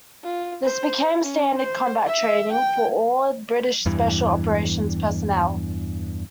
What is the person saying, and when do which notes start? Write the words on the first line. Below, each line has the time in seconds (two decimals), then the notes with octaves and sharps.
This became standard combat training for all British Special Operations personnel.
0.24 F4
0.64 C5
1.23 C#4
1.57 C5
2.07 E5
2.53 G5
3.86 E2 G2 E3